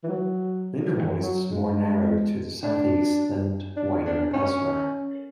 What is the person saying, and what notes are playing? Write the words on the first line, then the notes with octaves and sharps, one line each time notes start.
The inner wall is more narrow to the southeast and wider elsewhere.
E3
F#3
E3
F#3
G#3
D4
D4
D4
C#4